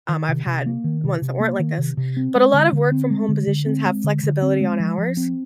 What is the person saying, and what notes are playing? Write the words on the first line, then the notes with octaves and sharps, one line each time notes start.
um, I've had ones that weren't like this, but a lot of work from home positions have flexibility on hours.
D#3
C3
C3
A#3
D#3
C3
C3
A#3
D#3
C3
C3
C4
G#3
D3
D3
C4
G#3
D3
D3
C4
G#3
D3
D3
C4
G#3
F3
F3
C4